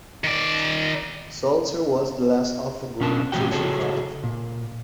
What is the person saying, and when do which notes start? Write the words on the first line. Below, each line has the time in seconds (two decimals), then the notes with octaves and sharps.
Salzer was the last of the group to survive.
0.24 D#3 D5
3.00 B2 C#4 D4 A5
3.32 A2 F3 C#4 F#4 G5
3.52 C#3 F#4 G#4 A4 C#5
4.24 A#2